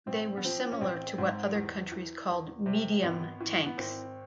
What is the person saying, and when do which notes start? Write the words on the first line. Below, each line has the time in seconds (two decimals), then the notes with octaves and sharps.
They were similar to what other countries called medium tanks.
0.07 A1 C4
0.37 B3
0.45 F3 C4
0.72 C#4
0.81 A1 C4
1.18 G#2
1.55 E2
1.92 E3
2.30 E2
2.66 C3
3.03 G#1 B3
3.41 E3
3.66 B3
3.78 G#1 C4